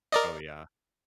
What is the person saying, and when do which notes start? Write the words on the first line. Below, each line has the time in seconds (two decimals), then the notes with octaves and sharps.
Oh, yeah.
0.12 A#4 D5 D#5